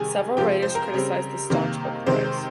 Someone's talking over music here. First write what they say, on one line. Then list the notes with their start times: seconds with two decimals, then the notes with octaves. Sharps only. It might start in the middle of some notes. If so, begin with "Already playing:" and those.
Several writers criticized the Staunch Book Prize.
Already playing: C3 D#3 G3 G#4 G#5
0.37 C3 F3 G#3 C4 G4 G5
0.62 C5
0.75 A#4
0.94 C#3 G3 C4
1.50 C3 D#3 A#3
2.06 C3 D#3 G#3 C4 C5